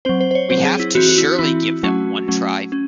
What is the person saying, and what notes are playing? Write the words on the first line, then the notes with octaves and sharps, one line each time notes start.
We have to surely give them one try.
F#3 C4 C5
C5
C5
C#5
F#3 C4 C5
G#4
E4
E3 C4 F#4
F#4
E4
F#4
E3 C4 E4
F#3 A3 C#4 F#4
F#3 A3 C#4
C#4